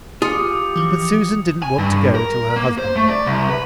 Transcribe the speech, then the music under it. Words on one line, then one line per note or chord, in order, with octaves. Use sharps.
But Susan didn't want to go till her husband went.
F4 G4 G#4 D#6 C#7
E3 F3
G#5
G2
A#4
A#3
C5
A3
D5
C2
B4